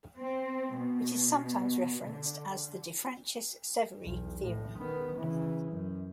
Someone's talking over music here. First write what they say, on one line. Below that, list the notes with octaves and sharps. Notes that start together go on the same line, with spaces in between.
It is sometimes referenced as the De Franchis-Severi theorem.
C4
B2
D3
B1 E2
A2
D#3 B3
C#3 E3
F#2